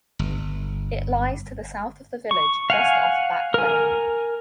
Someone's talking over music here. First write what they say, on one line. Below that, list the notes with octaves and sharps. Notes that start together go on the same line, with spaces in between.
It lies to the south of the village just off Back Lane.
G1
C#6
F5 F#5 G#5
A#4 G#5